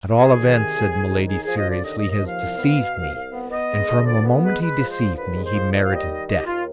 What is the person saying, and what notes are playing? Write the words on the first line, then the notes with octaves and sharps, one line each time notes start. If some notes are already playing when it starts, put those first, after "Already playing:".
"At all events," said Milady, seriously, "he has deceived me, and from the moment he deceived me, he merited death."
C2 G#4
D#3
C3
C2
C2
D#3
D#2 G#4
G#4
F3
D#5
D3 D5
D#2 D#5
D#5
D#2
D#5
F3 F5
C2
B3
B2
C2
C2
B3
B3 D#5
G#3
D3
D2 D5
B3
G#3 B4
G#3 B4
F3
C5
D3
D#2 B4
G#3
C5
F3
D#2 D#5
F5
G3
D#5
D#3
D#2 D#5
G4
D#2 F4